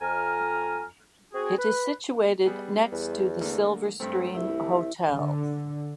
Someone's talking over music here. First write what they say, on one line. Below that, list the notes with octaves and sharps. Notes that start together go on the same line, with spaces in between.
It is situated next to the Silverstream Hotel.
F2 G#5 A#5 F6
C4 F#4 G#4
B4
G3 B3 G#4
E2
D3 A3 A#3
G2 A3 C4
C2 E4 E5
D3